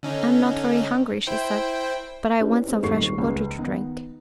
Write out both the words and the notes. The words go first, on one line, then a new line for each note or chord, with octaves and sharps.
"I'm not very hungry," she said, "but I want some fresh water to drink."
D3 C#4 D#4
E4 C5 G5
C#4 D4 E4 G4 B4
G#3 C4 D#4
D#1 G#2 G3 A4 C#6 C7
C#2
D#3 B3 D#4